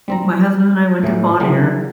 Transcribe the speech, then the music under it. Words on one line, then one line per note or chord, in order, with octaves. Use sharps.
my husband and I went to Bonaire,
G3 C4 A#5
A2 E3 F#3
C#3 E3 F#3 G3 A#3